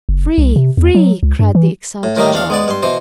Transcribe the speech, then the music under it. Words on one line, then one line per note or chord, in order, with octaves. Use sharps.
"Free! free!" cried the excited Charles.
F#1
C2
C3
E2
F#3
C#2
G2
E3
A2
A2 D#3 G3 A#3 D#4
E2 D4 F5
G#3 B3 D5
G2 C6
B2 E3 C5